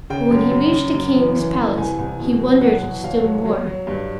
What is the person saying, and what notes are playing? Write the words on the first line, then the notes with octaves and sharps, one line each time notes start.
But when he reached the King's palace, he wondered still more.
C#3 G5
F#2
F#2
F#2
F#2
E3
E3
E3
C2 G#5
C2
B2
F#3
F#3 F#5
B2
F#3 F5
F#3
F#3
F#3
G2